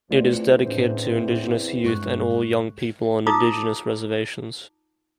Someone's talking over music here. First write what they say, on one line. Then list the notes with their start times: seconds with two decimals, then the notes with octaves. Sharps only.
It is dedicated to indigenous youth and all young people on indigenous reservations.
0.11 E2 E3 A3 C4 F4 D5
0.66 A2 C#4 D4 C5
1.84 G2 G#3 C#6 F#6
3.27 D#4 F4 A5 A#5 D6 D#6